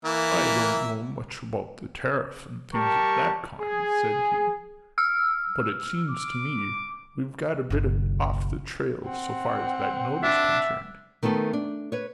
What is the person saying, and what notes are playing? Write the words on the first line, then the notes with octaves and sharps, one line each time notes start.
"I don't know much about the tariff and things of that kind," said he, "but it seems to me we've got a bit off the trail so far as that note is concerned."
E3 A#3 E5
G3 G4 A#4 A5 C#6
G#4
E6 F6
D6
F#1 B1
C4 F#5
D4 E5
D#3 A3 B3 A4
D4
B4 C#5